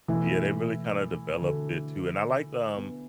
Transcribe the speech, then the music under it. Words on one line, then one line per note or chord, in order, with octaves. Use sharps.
Yeah, they really kinda developed it too, and I liked, um
B2 E3 A3 E4
D3 A3 D4 F#4 A4
B3 D4 B4